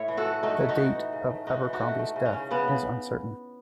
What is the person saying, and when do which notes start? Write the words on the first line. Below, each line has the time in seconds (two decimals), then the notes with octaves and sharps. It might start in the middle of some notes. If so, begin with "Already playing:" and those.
The date of Abercromby's death is uncertain.
Already playing: A2 A3 E4 C#5 E5
0.08 E3
0.17 F#4 A4
0.26 A3
0.43 A3 D#4 F#4
0.60 A3
0.69 D#4 F#4
0.77 E3
0.95 E3
1.12 C#3
1.30 A3
1.47 C#3 D#4 F#4
1.64 E3
1.73 D#4 F#4
1.82 A3
1.99 A3
2.16 C#3
2.25 C#4
2.33 C#3
2.51 C#3 B3
2.68 C#3